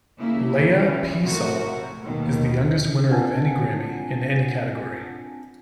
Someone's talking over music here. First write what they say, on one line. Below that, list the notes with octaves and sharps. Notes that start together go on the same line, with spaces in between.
Leah Peasall is the youngest winner of any Grammy in any category.
C#3 A#3 E4
E3 F3 C#4
C3 A3 F#4 A#4
D#2 B2 D#3
C4 D4 F4 F#5 G#5 A5